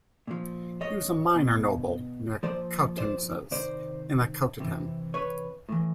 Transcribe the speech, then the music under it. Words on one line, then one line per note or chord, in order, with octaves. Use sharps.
He was a minor noble near Coutances in the Cotentin.
A#2 F3
C#5 D#5
B2
A#2 F3 C5 D5
C5 D5
C3 D#3 C5 D5
C3 E3
B4 C#5
A2 E3